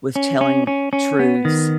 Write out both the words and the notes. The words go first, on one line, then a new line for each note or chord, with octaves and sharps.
with telling truths.
C#4
C#4
C#4
C#4
B3
D#3